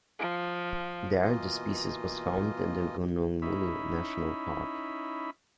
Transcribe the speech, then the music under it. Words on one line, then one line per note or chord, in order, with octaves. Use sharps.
There the species was found in the Gunung Mulu National Park.
F3
B2 E3 A#3 F4 D#5
C#4 D#4 E4 B5